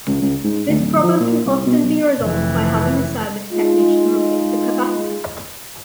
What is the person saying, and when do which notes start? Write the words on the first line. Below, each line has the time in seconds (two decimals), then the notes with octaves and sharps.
This problem can often be resolved by having a service technician replace the capacitor.
0.07 C#2
0.21 C#2
0.44 G#2
0.67 D2
0.80 D1
1.02 F3
1.20 A#2
1.46 C2
1.66 B2
1.82 B1
2.20 F1 E3
3.52 G#3 D#4 F4